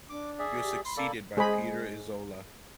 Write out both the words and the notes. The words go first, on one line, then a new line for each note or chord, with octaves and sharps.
He was succeeded by Peter Isola.
D4 D6
G#4 D5 E5
G4
B5 C6
A#3 A4 D5
G#3 G#4 C5 D#5 B5